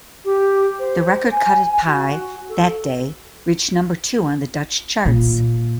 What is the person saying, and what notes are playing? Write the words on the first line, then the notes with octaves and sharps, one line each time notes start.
The record cut at Pye, "That Day", reached number two on the Dutch charts.
G4
C5
G#5
F#4
A4
A#2